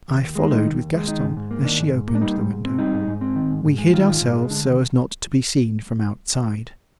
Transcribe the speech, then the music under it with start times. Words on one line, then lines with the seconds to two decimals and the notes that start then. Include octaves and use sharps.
I followed with Gaston as she opened the window. We hid ourselves so as not to be seen from outside.
0.08 D#2
0.22 D#2
0.35 G#3
0.51 D#3 D#4
0.65 D#2
0.79 D#2
0.94 G#3
1.07 D#3 D#4
1.21 G#2
1.37 G#2
1.51 A#3
1.64 D#3 D4
1.79 G#2
1.94 G#2
2.08 A#3
2.15 D4
2.21 G3 D#4
2.36 G#2
2.51 G#2
2.65 C4
2.78 G3 D#4
2.94 G#2
3.07 G#2
3.21 C4
3.36 D#3
3.51 G#2
3.65 G#2
3.78 G#3
3.93 D#3 F4
4.07 G#2
4.21 G#2
4.36 G#3
4.50 D3
4.65 D#2